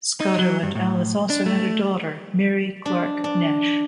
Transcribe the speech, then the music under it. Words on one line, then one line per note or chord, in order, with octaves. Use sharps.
Scotto and Alice also had a daughter, Mary Clark Nash.
D#4
F#3
G2
A2
D4
A3
D4
D4